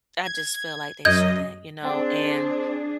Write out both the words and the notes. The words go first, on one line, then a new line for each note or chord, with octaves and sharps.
I just feel like they shouldn't, you know, and
G#6
F#2 D#5 G6 G#6
C4 D4 G#4